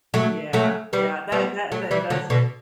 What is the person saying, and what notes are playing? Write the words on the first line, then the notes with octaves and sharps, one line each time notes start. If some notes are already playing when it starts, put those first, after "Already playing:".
Yeah, yeah, that that that does
F#3 A3
F#3 A3
G3 B3
G3 B3
F#3 A3
E3 G3
D3 F#3
B2 D3